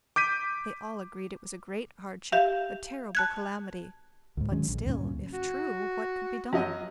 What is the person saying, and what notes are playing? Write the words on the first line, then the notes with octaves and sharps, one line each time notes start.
They all agreed it was a great hardship,--a terrible calamity; but still, if true, what could be done?
D6 G6 B6 D#7
G4 E5 F5
A5 F#6 G#6
D2 G#2
D#3 F#3 G#3 C#4
A#1
D2 G2 A#2 C#4
F#4
F#2 F#3 D#5